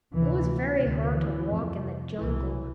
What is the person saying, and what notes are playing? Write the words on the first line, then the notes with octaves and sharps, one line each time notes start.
It was very hard to walk in the jungle.
D2 C3 E3
D2 C3
E3
F2 C3
C2 B2 E3